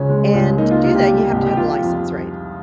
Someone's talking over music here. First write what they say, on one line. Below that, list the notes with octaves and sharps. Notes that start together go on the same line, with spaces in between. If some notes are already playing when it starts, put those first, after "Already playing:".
and to do that, you have to have a license, right?
Already playing: C#2 C#3 C#4
G#3
C#2
A#3 D#4
F4
C3 F4
G4
G3
C2
G4
F3 F4
F2